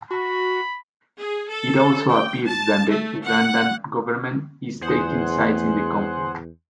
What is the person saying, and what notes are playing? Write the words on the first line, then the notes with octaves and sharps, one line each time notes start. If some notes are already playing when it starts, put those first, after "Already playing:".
It also appears that the Ugandan government is taking sides in the conflicts.
F#4 B5
G#4
A4
G5
A5
A3
F#5
E2 G#4 C5 F#5